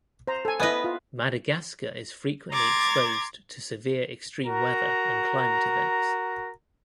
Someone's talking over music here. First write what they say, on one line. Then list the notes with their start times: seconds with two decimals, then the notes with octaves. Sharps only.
Madagascar is frequently exposed to severe extreme weather and climate events.
0.28 C5 A#5
0.45 A4 G#5
0.60 B3 E4 B4 D#5 G#5
0.84 F4
2.51 A#5 C6 D6 G#6 A6
4.46 F#4 A#4 A#5